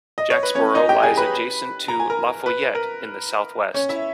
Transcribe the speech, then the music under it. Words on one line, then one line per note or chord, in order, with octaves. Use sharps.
Jacksboro lies adjacent to LaFollette to the southwest.
D#5
C#5
B4
C#4 C#5
D#4 D#5
G4 G5
G#4 G#5
B4 B5
A#5
G#5
A#4 A#5
B4
A#4
C#4 C#5
E4 E5